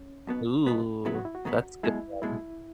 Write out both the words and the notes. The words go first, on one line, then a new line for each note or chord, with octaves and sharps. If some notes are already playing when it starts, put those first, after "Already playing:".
Ooh, that's good one.
Already playing: C#4
B1 B2 B3
B1 B2 B3
F#2 C#3 F#3 B3 E4
F#4
E4
F#4
F#2 C#3 F#3 B3
B1 B2 G#3 E4
B1 B2 G#3 E4